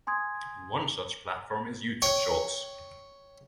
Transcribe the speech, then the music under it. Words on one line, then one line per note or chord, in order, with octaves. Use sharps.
One such platform is YouTube Shorts.
G#5 C6 D#6 G#6
C#5 G5